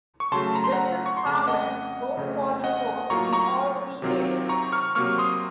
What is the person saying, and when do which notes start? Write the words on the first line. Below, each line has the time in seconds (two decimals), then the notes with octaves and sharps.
Justice Harlan wrote for the Court in all three cases.
0.20 C#6
0.32 C#3 F#3 A3 A5 C6
0.55 A#5
0.64 C6
0.72 F#5 A#5
1.06 C#6
1.17 C6
1.25 F2 C#3 A3 A#5
1.37 A5
1.47 D#5 F#5
2.17 F2 C#3 A3
2.64 D#5 F#5
3.10 A2 F#3 A#3 F4 A#5 C#6
3.33 A#5 C#6
4.02 C3 D#3 F#3 C4 F4
4.49 A#5 C#6
4.72 C#6 F6
4.95 C3 F#3 A#3 C#6 F6
5.18 C6 D#6